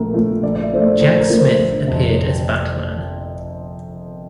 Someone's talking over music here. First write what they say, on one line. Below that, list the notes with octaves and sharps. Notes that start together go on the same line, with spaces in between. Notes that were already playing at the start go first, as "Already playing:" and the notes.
Jack Smith appeared as Batman.
Already playing: A#1 A#2 F3 A3 A#4
A#2 F3 A3
A#1 D5
D5
E5
A#2 F3 A3 C5
D5
A#1 C5
A#4
A#2 F3 A3
C5
G1
F2 C3